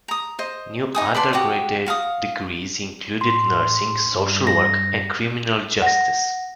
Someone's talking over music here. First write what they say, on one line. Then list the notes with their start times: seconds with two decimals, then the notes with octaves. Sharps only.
New undergraduate degrees included nursing, social work, and criminal justice.
0.08 A#5 D#6
0.39 C5 D#5
0.95 D#4 G#5 D#6
1.15 B4 D5 A5 C6
1.33 F#4 G4 D6 D#6
1.86 F#4 F5 A5 D#6
3.21 A2 C6
4.08 G2
4.47 A#6
5.82 F#5 A#6